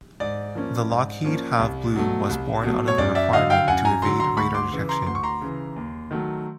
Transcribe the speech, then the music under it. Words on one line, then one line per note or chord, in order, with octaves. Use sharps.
The Lockheed "Have Blue" was born out of a requirement to evade radar detection.
G#2 D5
F3 A#3 C#4
G#2
F3 A#3 C#4
C2
B2 F#3 A3
C2
B2 F#3 A3
C#5
F#2 D5
D5 E5
D3 F#3 D#5 F5
F5 G5
F#2 F#5 G#5
G#5 A#5
D3 F#3 A#5 C6
A#5 C6
D2 B5 C#6
C6 D6
C#3 E3
A#5 C6
D2 C6
C#6
A#5 C6
C#3 E3
D#2
D#3 F#3 A3